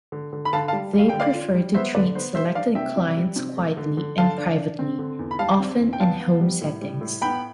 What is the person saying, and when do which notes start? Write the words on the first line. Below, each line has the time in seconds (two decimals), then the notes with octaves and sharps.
They prefer to treat selected clients quietly and privately, often in home settings.
0.12 D3
0.33 D3
0.45 B5
0.53 D3 F5 A5
0.68 F5 A5
0.73 G3
0.93 G3
0.99 F5
1.09 D3 G5
1.20 D5 F5
1.34 F4
1.55 G3
1.74 B3 C5 E5
1.95 D3 B4 D5
2.15 B3 C5
2.35 G3 C5 E5
2.55 D4 D5 F5
2.75 C3 E5 G5
2.96 C3
3.17 G3
3.36 C3
3.57 A3
3.77 D3
3.97 D3
4.18 D3 F5 A5
4.38 D4
4.58 D4
4.79 C4
4.99 D3
5.19 E2
5.31 B5
5.39 G3 F5 A5
5.60 C4
5.80 E2
5.93 G5
6.00 B3 F5 A5
6.20 B3
6.41 G3
6.61 A2
6.81 G3
7.01 A2
7.21 B3 G5 B5